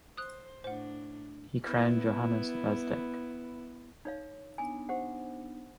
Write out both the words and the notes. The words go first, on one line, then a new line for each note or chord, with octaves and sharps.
He crowned Johannes Rydzek.
C5 D#6 F#6
A2 D4 C5 F#5
B3 E4
D#4 C#5 F5
B3 D4 D#4 G#5
G4 C5 F#5